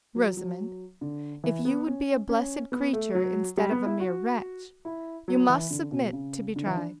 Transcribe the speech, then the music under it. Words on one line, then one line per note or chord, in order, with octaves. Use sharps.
"Rosamond, if you would be a blessed creature instead of a mere wretch, you must submit to be tried."
F#3
F#3
D3
E3
B3
C#4
C#4
B3
A3
F#3
G3
B3
E4
F#4
E4
F#3
E3
D3
B2
C#3
D3
E3
D4